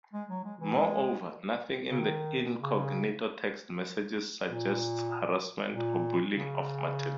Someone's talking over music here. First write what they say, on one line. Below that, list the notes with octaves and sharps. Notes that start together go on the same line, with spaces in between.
Moreover, nothing in the Incognito text messages suggests harassment or bullying of Martin.
G#3
F#3
G#3
E3
G#3
C#3
D#3
C#3
A#2
A#2
C#3